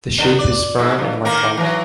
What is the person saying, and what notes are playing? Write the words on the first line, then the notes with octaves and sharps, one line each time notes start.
The shape is firm and lifelike.
D3 D#3 B3
D5
G#2 B2
G2
D#3 A#3 A#4
E3 F#3